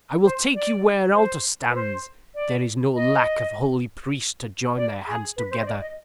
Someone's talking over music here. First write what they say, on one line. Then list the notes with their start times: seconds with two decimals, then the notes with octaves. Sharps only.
I will take you where an altar stands. There is no lack of holy priest to join their hands together.
0.24 C5
0.54 D5
1.14 C5
1.69 B4
1.75 C5
2.34 D5
2.95 D#5
4.76 D5
5.06 G#4
5.36 B4
5.51 C5
5.61 D#5
5.66 D5
5.80 D#5